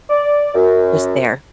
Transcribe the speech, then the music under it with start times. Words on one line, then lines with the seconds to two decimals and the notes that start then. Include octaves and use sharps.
just there.
0.09 D5
0.54 F#2